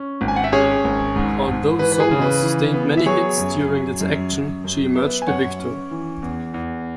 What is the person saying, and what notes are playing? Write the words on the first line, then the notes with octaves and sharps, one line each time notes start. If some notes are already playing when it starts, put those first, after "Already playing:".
Although "Somers" sustained many hits during this action, she emerged the victor.
Already playing: C#4
G#1
G#5
F#5
E5
C#4 G#4 C#5
G#1
G#2
G#2
E3 B4
B4
G#4
C#3
B4
E3
B3
E5
F#3 G#4 C#5
F#2
F#3
F#2
F#2
F#2
B3 B4 E5
G#5
F#2 C#5 F#5
C#4
E3
E2
E2